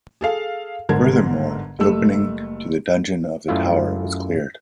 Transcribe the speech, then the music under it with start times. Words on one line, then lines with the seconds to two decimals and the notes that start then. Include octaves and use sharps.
Furthermore, the opening to the dungeon of the tower was cleared.
0.21 G#4 A4 F5
0.89 G1 G#2 D3 A#4 A5 G#6
1.79 F#1 G3 A3 E6
3.48 F#2 A3 E4 F4 E5